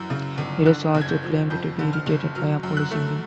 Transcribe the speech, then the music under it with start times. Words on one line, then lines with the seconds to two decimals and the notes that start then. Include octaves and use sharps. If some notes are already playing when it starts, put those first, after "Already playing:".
Eros also claimed to be irritated by Apollo's singing.
Already playing: F#2 E3 G6
0.10 C#3
0.38 G1
0.66 D3 F#6
0.95 F#1
1.01 G#6
1.09 G6
1.23 F3
1.50 F2 G6
1.79 D3
1.93 F6
2.06 F#1
2.35 F#3 F6
2.63 F#2
2.77 F#6
2.91 A3